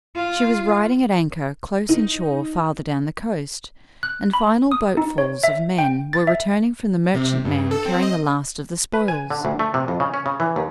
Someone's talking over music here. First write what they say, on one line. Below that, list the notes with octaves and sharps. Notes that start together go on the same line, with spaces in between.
She was riding at anchor close inshore farther down the coast, and final boatfuls of men were returning from the merchantman carrying the last of the spoils.
F4
D#4
F#6
B5
D#6
D#4
C#5
E5
G5
A6
E5
C3
G2
A4
C4
D#5
B4
G#5
D3
D2
A3
C3
F2
C#3
C#4
C#3
E3
D#2